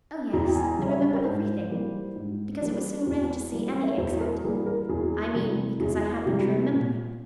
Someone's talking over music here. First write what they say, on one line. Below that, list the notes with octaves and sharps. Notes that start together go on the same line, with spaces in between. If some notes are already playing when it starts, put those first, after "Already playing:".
'Oh, yes, I remember everything; because it was so rare to see any except--I mean because I happen to remember.
E2 A#5
G5
G#5
A#5
C#3 G3
E5
C#5
A#4
G#2 C5
E3 G3 A#3
G#2
E3 G3 A#3
E2
E3 G3 A#3
E5
C#5
E2 C5
A#4
E3 G3 A#3 G#4
A#4
E2 G#4
C3 E3 G3
E2 G#4
C3 E3 G3 G4
A#2